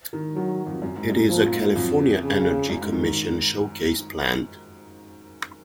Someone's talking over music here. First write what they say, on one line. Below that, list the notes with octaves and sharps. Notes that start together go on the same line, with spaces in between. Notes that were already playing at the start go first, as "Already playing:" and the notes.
It is a California Energy Commission Showcase Plant.
D#3
D#3 F#3
F2
F#2
G#2
F#2
A#2 F3
A#2
G#2
F2 F#3
C#3
F#2
G#2
D#3